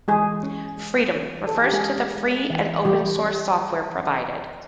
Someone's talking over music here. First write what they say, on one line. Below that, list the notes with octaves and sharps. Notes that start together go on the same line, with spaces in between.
"Freedom" refers to the free and open source software provided.
E3 G#3 G#4
C#4
G#3
E3
E3 A4
G#4
G4
G#3 G#4
C#4
G#3
E3
E3 G3 G4
C4
G3
E3